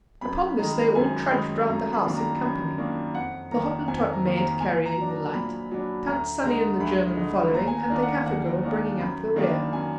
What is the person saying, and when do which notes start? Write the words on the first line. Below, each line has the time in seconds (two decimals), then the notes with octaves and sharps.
Upon this they all trudged round the house in company--the Hottentot maid carrying the light, Tant Sannie and the German following, and the Kaffer girl bringing up the rear.
0.21 F#2 B5
0.58 D#3 G#3 D#4 A#5
0.95 F#2 G#5
1.31 D#3 G#3 D#4 B5
1.69 F#2 A#5
1.93 B5
2.05 D#3 A#3 D4
2.17 A#5
2.42 F#2
2.78 D#3 A#3 D4
3.14 F2 F#5
3.51 D#3 A#3 A#5
3.88 F2 G#5
4.13 A#5
4.25 D#3 A#3
4.37 A#5
4.60 A#2 G#5
4.85 A#5
4.97 F#3 D4
5.09 A#5
5.33 A#2 B5
5.71 F#3 D4
6.07 D2 A#5
6.43 D3 G#3 D#4 A#5
6.80 D2 B5
7.16 D3 G#3 D#4
7.53 D#2 A#5
7.67 G#5
7.78 A#5
7.90 D#3 A#3 D4
8.02 F#5
8.26 D#2 F#5
8.63 D#3 A#3 D4
8.99 F#2 B5
9.36 D#3 A#3 D4
9.73 F#2 G#5